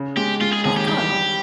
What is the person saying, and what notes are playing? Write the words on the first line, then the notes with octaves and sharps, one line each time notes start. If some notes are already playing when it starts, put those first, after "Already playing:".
You've come.
Already playing: C#3
G#3 G4
G#3 F4
G#4
D#2 G#4
G4
G3 G4
G3